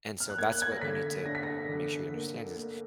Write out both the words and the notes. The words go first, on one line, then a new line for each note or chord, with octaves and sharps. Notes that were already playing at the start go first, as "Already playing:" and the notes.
And so that's what you need to make sure you understand is
F6
F#6
A#3 G#6
F#6
G#6
A#6
D3 B6
D4 A#6
B6
A#6
D3
A#3
A#3